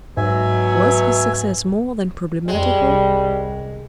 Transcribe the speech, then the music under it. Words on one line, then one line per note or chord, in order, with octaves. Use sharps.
Was his success more than problematical?
G#2 B2 F#3 E5 G#5
F2 G3 G#3
C2